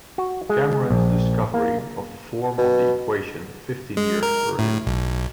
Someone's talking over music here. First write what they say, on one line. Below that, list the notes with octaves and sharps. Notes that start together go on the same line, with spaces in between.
Cameron's discovery of the form of the equation fifteen years earlier.
F#4
G#3
A#1
A#3
B2
G#3
A#4
A2
B1